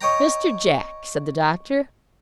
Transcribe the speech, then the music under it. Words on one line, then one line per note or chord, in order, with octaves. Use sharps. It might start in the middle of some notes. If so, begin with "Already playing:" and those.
'Mr. Jack!' said the Doctor.
C#5 D#5 G5 A#5